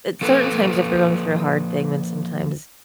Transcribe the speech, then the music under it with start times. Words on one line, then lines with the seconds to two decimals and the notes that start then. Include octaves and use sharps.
at certain times, if you're going through a hard thing, then sometimes,
0.21 F3 A#3 A4 B4